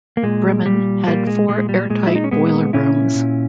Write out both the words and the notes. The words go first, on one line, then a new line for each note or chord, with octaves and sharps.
"Bremen" had four airtight boiler rooms.
A#3
A#2 G#3
A#2 G3
A#2 G3 A#3
G#3
A#2 G#3
G3
A#2 G#3
E4
D#4
C#4
A#2 G#3 B3
A#2 C#4 E4
A#2